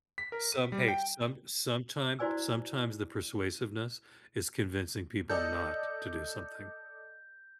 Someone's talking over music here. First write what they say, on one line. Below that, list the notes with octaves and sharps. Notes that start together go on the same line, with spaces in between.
Some, hey some sometimep sometimes the persuasiveness is convincing people not to do something.
B6
A#4
D#7
G3
G5
E4 F#4 C5 D5 G#5 E6
A4 D5 D#5 G6